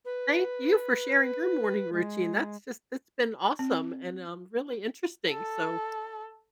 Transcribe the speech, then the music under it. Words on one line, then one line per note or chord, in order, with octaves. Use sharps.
Thank you for sharing your morning routine, that's just it's been awesome and, um, really interesting. So,
B4
G#3
C4
A4